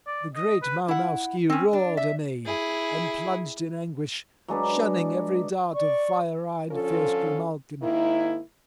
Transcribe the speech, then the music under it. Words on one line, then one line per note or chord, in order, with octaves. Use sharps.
The great Mowmowsky roared amain and plunged in anguish, shunning every dart of fire-eyed fierce Grimalkin.
D5
D#5
B4
E4 F#5
C4 C#4
D4
E5
E4 G#4
F#3 G#3 D4 B4
D5 C#6
D3 F3 C#4 F4 A4
G#2 D#3 A#3 E4